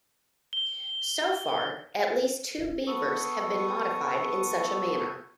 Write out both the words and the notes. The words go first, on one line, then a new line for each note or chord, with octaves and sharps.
So far, at least two Beavers have been modified in such a manner.
G7
B3 A4 C#6 D#6